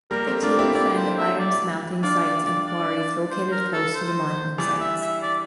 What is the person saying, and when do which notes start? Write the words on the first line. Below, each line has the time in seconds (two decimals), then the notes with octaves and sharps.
The team found iron smelting sites and quarries located close to the monument sites.
0.11 G3 A#3 A#4
0.27 A3 C4
0.42 D4 F4 D5
0.59 E4 G4
0.75 E4 G4 D5
0.96 C5
1.18 E5
1.39 D5
2.03 D4 F4 D5
2.24 D5
2.45 D5
2.67 D5
3.31 C5
3.52 A#4
3.73 A4
3.95 C5
4.58 E3 G3 D5
4.80 E5
5.01 E5
5.22 D5